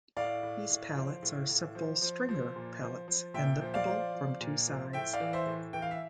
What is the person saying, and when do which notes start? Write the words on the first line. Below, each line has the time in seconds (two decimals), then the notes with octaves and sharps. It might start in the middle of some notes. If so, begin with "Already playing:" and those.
These pallets are simple stringer pallets, and liftable from two sides.
0.17 A2 D5 F5
0.43 A2
0.70 A2
0.96 F3
1.23 A2
1.49 A2
1.75 F3
2.02 F3
2.29 F3
2.56 A#2
2.82 F3
3.08 F3
3.34 A#2 E5 G5
3.61 F3
3.74 D5 F5
3.88 F3
4.15 F3
4.41 A#2
4.68 F3
4.93 A2 E5 G5
5.13 D5 F5
5.20 E3
5.33 C5 E5
5.46 A2
5.73 E3 G5
5.82 F5
5.91 E5